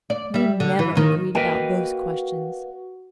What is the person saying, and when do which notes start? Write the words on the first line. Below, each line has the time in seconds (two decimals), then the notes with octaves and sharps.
We never agreed about those questions.
0.10 D5
0.34 G3 E5
0.60 D3
0.79 E3
0.95 D#2 D#3
1.35 A#3 F#4 B4 D#5 G5